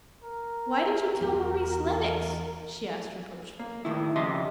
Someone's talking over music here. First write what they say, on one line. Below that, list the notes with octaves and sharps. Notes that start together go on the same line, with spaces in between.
"Why did you kill MAURICE LENNOX?" she asked reproachfully.
A#4
E2
A#3
A2 D#3 E4
F2 C#3 G4 D#5 E5 C6